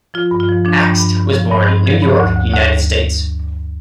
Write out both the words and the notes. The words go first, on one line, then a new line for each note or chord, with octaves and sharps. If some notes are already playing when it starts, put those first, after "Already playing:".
Akst was born in New York, United States.
F3 F4
G2
F4
F3
F3 D4
G2
D4
G2
G2
F3
G2
G2 C4
F3
G2
D2
D2
D2